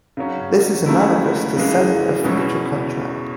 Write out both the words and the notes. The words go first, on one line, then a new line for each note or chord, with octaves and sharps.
This is analogous to selling a future contract.
C#3 F#3 C#4
C#3 F#3 A3 E4
C#3 E3 G#3
E2 B2 G#3 C#4 E4